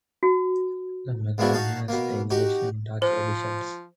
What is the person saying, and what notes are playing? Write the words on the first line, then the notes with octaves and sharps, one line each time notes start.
The magazine has English and Dutch editions.
F#4
G#2 A#3 B3 D4 E4 F#4
D#4 F#4 F5 A5
B2 A#3
D#4 F#4 G4
F3 C5